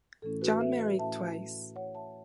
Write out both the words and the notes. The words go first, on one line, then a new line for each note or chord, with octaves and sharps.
John married twice.
A2 E3 A3 C#4 E4 A4
F#4 B4
B4 E5
A2 E3 A3 C#4 E4 E5 A5
A2 E3 C#4 E4 C#5 F#5
E5 A5